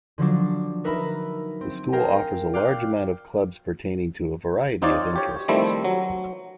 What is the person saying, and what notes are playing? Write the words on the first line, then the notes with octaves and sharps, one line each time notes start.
The school offers a large amount of clubs pertaining to a variety of interests.
D3 F3 F#3 D4
D#4 A#4 B4 E5 A#5 B5
C4
G#4 A#4 F5 G5 A#5
D5 F5 G5 F#6
C4 D#4 F4 C#5 D5
G4 C#5
D#3 F3 G3 A3 C4 E4
F#3